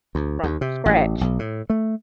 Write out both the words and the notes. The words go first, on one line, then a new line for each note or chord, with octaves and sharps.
from scratch.
D2
D#2
C3
A1
B1
A2
A3